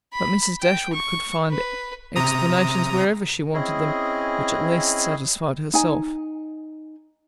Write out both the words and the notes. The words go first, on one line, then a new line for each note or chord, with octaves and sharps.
But Mrs. Dashwood could find explanations whenever she wanted them, which at least satisfied herself.
B5
G5
C#6
B4
C3 A#5 D#6
C4 C#4 E4 G#4 D#5
D#4 G#5